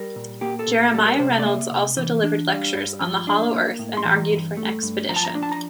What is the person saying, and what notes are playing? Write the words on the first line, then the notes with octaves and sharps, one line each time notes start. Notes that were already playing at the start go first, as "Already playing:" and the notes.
Jeremiah Reynolds also delivered lectures on the "Hollow Earth" and argued for an expedition.
Already playing: G3 A#4
A#2
A#3 G4
A4
A#2
A#4
G3 A4
A#4
C3 C5
F5
D5
A#3 E5
C3
E3
D4
G3 F5
G2
F3
D4
A#3
A2
C6
E3 A#5
G2
A3
G2
F3 A#5
A5
A#5
D4
A5
A#5